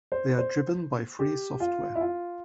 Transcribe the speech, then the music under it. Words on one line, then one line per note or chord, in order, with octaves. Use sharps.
They are driven by free software.
C5
C5
G4
F4
E4
F4